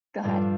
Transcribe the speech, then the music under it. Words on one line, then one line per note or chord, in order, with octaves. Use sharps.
Go ahead.
G2 D3 F3